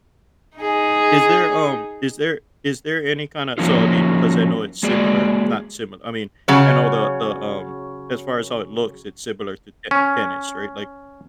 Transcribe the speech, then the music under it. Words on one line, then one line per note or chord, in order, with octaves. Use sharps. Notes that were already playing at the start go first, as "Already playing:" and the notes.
Is there, um is there is there any kinda so, I'll be 'cause I know it's similar not simil I mean, I know the the, um, as far as how it looks, it's similar to ten tennis, right? Like,
D#4 G#4
F3 F#3 A#3 C#4 D#4 F4
G#3 A#3 F#4 G#4 D5
C#3 F#3 C#5
C#4